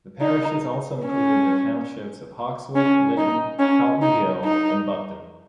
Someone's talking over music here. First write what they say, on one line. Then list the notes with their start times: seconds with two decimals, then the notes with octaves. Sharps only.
The parish also included the townships of Hawkswick, Litton, Halton Gill and Buckden.
0.21 D#4
1.06 C#4
2.76 C#4
3.18 D#4
3.59 C#4
4.02 D#4
4.44 D#4